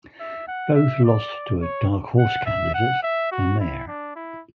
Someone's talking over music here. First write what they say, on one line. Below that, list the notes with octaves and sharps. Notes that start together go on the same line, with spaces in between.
Both lost to a "dark horse candidate": a mare.
E5
F#5
E5
D5
C#5
F#5
E5
F#5
E5
F#4
E4
D4
E4